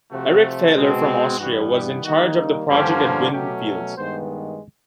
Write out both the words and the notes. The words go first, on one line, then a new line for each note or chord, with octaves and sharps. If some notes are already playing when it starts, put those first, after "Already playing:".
Eric Thaler from Austria was in charge of the project at Winfield's.
C3 F3 A3 F#4
B2 G#3 C4
G2 E3 G3 B3 F#4
G4
D#3 G3 A#3 D#4 F#4
G2 D3 F3 A#3 C#4 G4
B2 F#3 A3 C#4 G4
G2 D#3 G#3 B3 C5